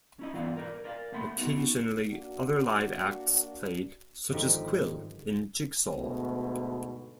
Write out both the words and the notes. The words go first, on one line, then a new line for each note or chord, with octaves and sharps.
Occasionally other live acts played such as Quill and Jigsaw.
C#4 E4 D#5
G#2 E3 B3 F4 D5 F5
A#4 B4 D5
A#4 D5 E5 F5
A3 A#3 F#5 B5 C6
B3 D#4 F#4
A#3 D4 F#4
G#1 D3 F3 D#4 G4
D2 G#2 B2